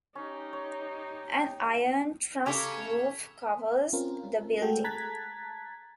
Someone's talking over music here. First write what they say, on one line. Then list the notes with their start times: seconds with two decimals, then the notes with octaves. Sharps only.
An iron truss roof covers the building.
0.15 C#4 D#4 G4
0.53 C#5
1.36 G5
2.46 C#3 G4 A4 A#4 C#5 G#6 B6 E7
3.93 C4 C#4 F4 A#4
4.62 G#3 A3 F#4 G#4 A4 G5
4.84 A5 A#5 F#6 G#6 A6 B6